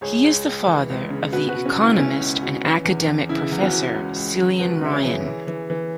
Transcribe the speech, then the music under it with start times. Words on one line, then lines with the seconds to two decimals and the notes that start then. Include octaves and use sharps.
He is the father of the economist and academic Professor Cillian Ryan.
0.01 C#2 G#4 C#5
0.24 C#2
0.46 C#2
0.67 E3
0.90 C#2
1.10 C#3
1.33 B2 F#4 B4
1.49 F#4 B4
1.54 B2
1.66 C#4 F#4
1.76 C#2
1.82 E4
1.98 B2 C#4
2.20 C#2
2.42 B2
2.64 E3
2.85 E2
3.07 E2
3.29 C#3 E4
3.51 E2
3.62 C#4 F#4
3.73 E2
3.94 C#2
4.16 C#2
4.39 C#2
4.60 C#2 F#4 B4
4.81 C#3 E5
4.93 G#4 C#5
5.04 E3
5.25 E3
5.47 E3
5.70 E3